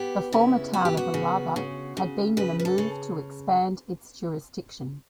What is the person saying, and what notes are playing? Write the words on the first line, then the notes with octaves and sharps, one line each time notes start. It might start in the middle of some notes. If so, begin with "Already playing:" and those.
The former town of Alava had been in a move to expand its jurisdiction.
Already playing: B3 G4
C#3 E4
B3 F#4
G4
F#4
C#3
C#3
C#3
C#3 B4
B4
A4
C#3